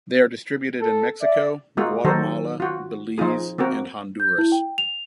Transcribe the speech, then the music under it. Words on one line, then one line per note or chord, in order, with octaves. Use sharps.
They are distributed in Mexico, Guatemala, Belize, and Honduras.
A4
D5 E5
G#3 A#3 F4 F#4
D#3 F#3 D#4 F#4 A4 C5
F4 F#4
F3 D#4 F4 G#4
A#3 C4 F#4 A#4
G6
E4
G5
F7